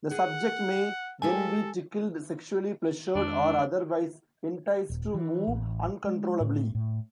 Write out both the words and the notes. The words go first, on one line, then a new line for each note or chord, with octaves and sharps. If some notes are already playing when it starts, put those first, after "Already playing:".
The subject may then be tickled, sexually pleasured or otherwise enticed to move uncontrollably.
G#4 F#5
G#3 A#3 G4 A4 G#5
F2 D#3 G#3 D4
D#1
E3
A1
G#3
A2
A2